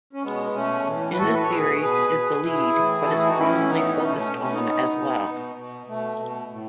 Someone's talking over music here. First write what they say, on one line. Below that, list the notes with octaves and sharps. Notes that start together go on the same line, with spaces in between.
In this series, is the lead, but is prominently focused on as well.
C#4
B2 G#3 B3
B3
B2 A3 C#4
A2 E3
B4
A2 E3 F#4 A4
B4
C#5
B2 G#4 B4
B2 G#4 B4
B2
B2 E4 G#4
A2 E3
A2 E3 F#4 A4
E4 G#4
D#4 F#4
A2 E3 C#4 E4
A2 E3 B3 D#4
B2 A3 C#4
A3 C#4
B2 A3
A3 C#4
B3 D#4
B2
B2
B2
B2
B2 A3
B2
A2